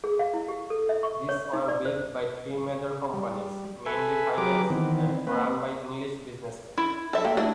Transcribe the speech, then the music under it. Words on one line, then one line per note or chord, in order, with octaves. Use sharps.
These were built by three major companies, mainly financed and run by English businessmen.
G#4
F5
E4
G4
A4
E5
C#6
C#5
D#4
D5
C5
G3
A4 B4 E5 G#5
F#3 G4 G#4 A#4 B4 D6
D#3 E3 B3 C4
A#3 C4 B4
E4
A4 E5
A#3 G5
A3 D4 E4